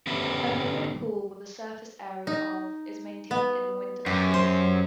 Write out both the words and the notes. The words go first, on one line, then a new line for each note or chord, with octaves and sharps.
A minimum pool with a surface area of is maintained in the winter months.
D3 B3 C#4 F#4 G4 E5
D#4
B3
F#2 G4
C5